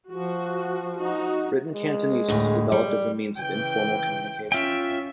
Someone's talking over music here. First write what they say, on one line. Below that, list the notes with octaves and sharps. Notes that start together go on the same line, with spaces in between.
Written Cantonese was developed as a means of informal communication.
F3 F#4
D#4 F#4
G#3
D2 A2
G3
C#3 E3 G5
C#4 F4 E5 G5